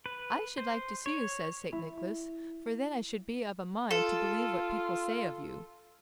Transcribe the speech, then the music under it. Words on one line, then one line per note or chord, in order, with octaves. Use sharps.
"I should like to see you," says St. Nicholas; "for then I should be of a mind to believe what people say of you."
B4
C5
C#5
E4
F4 A4